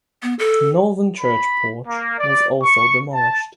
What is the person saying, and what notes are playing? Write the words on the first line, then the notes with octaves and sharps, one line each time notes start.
The northern church porch was also demolished.
B3
A4
B5
A#3
D5
C#6
A5